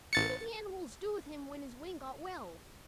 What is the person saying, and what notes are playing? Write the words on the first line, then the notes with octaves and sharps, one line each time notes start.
"What did the animals do with him when his wing got well?"
A1 A6 C#7